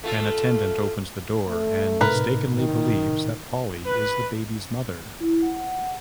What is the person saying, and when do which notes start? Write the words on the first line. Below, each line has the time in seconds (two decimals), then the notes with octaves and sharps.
An attendant opens the door and mistakenly believes that Polly is the baby's mother.
0.04 A3 F4 A4
1.48 A3
2.01 A2 C3 D#4 A#4 B4
2.58 D#3
3.86 B4
5.20 E4
5.42 F#5